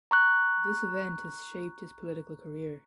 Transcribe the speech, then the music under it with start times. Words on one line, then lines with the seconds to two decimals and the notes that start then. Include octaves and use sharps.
This event has shaped his political career.
0.11 A#5 C#6 F#6